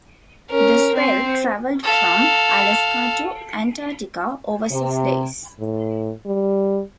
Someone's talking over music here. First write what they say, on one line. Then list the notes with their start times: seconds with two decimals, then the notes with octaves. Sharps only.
The swell travelled from Alaska to Antarctica over six days.
0.51 C#4 A#4
0.95 C4 C5
1.83 A4 F5
4.70 C3
5.60 A2
6.26 G3